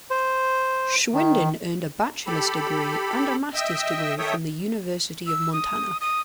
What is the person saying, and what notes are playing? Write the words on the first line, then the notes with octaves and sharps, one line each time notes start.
Schwinden earned a Bachelor's Degree and a Master's Degree from the University of Montana.
C5
D#3
G4 A4 B5
D#5 E5 G5 E6
D#3 A4 C#5 E5 G5 D#6
E6
D#6
D#6